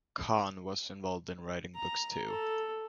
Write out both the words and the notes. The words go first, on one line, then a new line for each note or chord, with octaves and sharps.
Khan was involved in writing books too.
A#5
A4